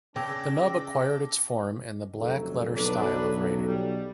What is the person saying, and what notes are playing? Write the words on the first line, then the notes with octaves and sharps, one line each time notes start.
The nub acquired its form in the blackletter style of writing.
C#3 C#4 D4 G5 D6 E6 A#6
F1 C#3 F#3 A4
B1 D4 B4
G3